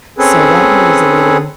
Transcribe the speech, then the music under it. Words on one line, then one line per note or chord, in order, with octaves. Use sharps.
so that one was a little
C4 C#4 G#4 A4 B4